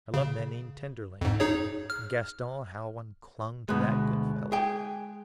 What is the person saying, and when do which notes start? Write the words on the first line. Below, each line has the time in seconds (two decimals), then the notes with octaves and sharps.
I loved Nanine tenderly; and Gaston, how one clung to that good fellow!
0.14 C#3
1.21 F2 G#2
1.40 D#4 G#4 C#5
1.90 F6
3.69 D2 B2 G#3 F#6
4.52 G#4 G5